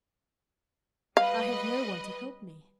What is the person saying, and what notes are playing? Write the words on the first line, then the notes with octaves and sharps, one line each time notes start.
"I have no one to help me."
G3 B4 D#5 F5